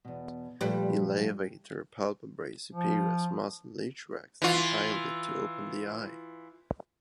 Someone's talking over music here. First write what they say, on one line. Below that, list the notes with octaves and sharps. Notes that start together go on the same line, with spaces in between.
The levator palpebrae superioris muscle retracts the eyelid to "open" the eye.
E2 B2
A#2 F3 G3 A3 B4
F3
E3 F4